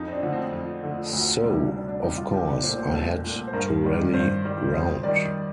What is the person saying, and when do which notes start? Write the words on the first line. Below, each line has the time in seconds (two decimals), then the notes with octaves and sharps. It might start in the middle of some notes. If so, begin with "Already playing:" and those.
So, of course, I had to rally round.
Already playing: F2 D#4
0.08 C4
0.13 D4
0.23 D3 F3 A3
0.33 C4
0.52 F2
0.83 D3 F3 A3
1.13 D2
1.43 C3 G3
1.73 D2 D4
1.88 D4
2.03 C3 G3 D#4
2.18 F4
2.33 C2 G4
2.48 D4
2.63 A#2 A3 C5
2.78 C5
2.93 C2 A4
3.23 A#2 A3
3.47 C5
3.53 G2 A#4
3.83 D#3 G3
4.13 G2 C5
4.44 D#3 G3
4.73 F2 C5
5.03 D#3 G3 D5